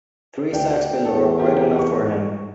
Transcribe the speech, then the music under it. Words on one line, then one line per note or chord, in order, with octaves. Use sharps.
Three sacks below are quite enough for him.
D2 D4 G5
E2 A4
F4 G4 A#4
C#6